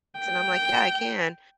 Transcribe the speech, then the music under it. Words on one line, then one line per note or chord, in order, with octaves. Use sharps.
And I'm like, “Yeah, I can.
G5